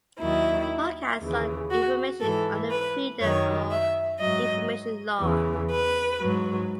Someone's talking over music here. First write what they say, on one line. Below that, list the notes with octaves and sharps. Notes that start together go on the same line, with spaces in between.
The podcast sought information under Freedom of Information laws.
D#2 D#3 F#3 E4
D#2 C#3 E3
F#4
G#2 E3 A4
B4
F#2 D#3 F#3 C#5
E5
G#2 F#3 D#5
E2 C#3 E3
B4
G#2 F#3